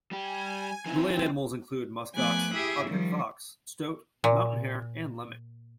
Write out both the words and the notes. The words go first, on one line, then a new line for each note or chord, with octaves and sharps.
The land animals include muskox, Arctic fox, stoat, mountain hare and lemming.
G3 G4 G#5
F3 C4 D#4 E4
F3 A3 B3 G#5 D6 F#6
E4 G4 G#4 E5
D#3 F3 G3
A#2